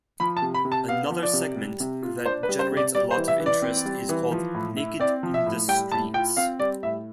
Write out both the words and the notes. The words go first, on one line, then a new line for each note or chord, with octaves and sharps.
Another segment that generates a lot of interest is called Naked In The Streets.
F3 B5
A5
C3
B5
C3
A5
B3 F5
F3
D5
C3
G3
C3
F4
D4 C5
B4
G3
C5
C3
D5
G3 D5
C5
E3
E5
E3
D5
C4
G3
E3
F3
A2
E4
C4 D5
F3
E5
A2
G3 G5
A2 A5
F4 G5
C4 F5
G3 D5
A2 E5